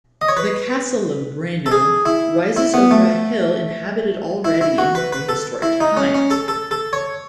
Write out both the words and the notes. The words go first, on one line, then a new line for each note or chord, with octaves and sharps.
The Castle of Breno rises over a hill inhabited already in prehistoric times.
D#5
C#5
B4
A4
G#4
E4
E4
B3
A3
E4
E4
F#4
B4
B4
A4
E4
D#4
C#4
C#4
A4
A4
A4
C#5